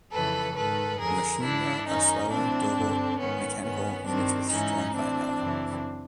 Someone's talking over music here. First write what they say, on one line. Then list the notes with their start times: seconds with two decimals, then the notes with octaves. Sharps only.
Machina are slower, durable mechanical units with strong firepower.
0.11 F2 C#3 E3 A4 B4
0.56 G#2 D#3 A4 B4
0.99 F2 D3 G#4 A#4
1.43 G#2 E3 D4 E4
1.87 F#2 D#3 C#4 D#4
2.31 A2 E3 C4 D4
2.75 G2 D3
3.18 G#2 D#3 B3 C#4
3.62 G2 D#3 B3 C#4
4.05 G2 D#3 C4 D4
4.49 G#2 E3 C#4 D#4
4.93 A2 E3 C4 D4
5.38 F#2 C#3 E3